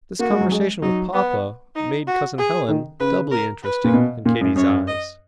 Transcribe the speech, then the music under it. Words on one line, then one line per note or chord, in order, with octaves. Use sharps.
This conversation with Papa made Cousin Helen doubly interesting in Katy's eyes.
A#3 F#4
G#3
F#3
G#3
F#3 D#4
B3
D#4
F#4
G#4
D#3
C#3 B4
A#4
B4
A#2
B2
A#2
F#2
F#2 C#5
D#5